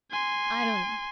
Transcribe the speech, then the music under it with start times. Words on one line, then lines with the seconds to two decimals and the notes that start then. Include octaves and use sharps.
'I don't know.
0.10 G#5 C6